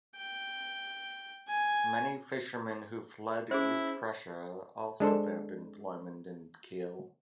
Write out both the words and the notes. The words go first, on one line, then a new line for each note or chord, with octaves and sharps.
Many fishermen who fled East Prussia also found employment in Kiel.
G5
G#5
C#4 E4 G#4 C5
G#3 D4 A4 C5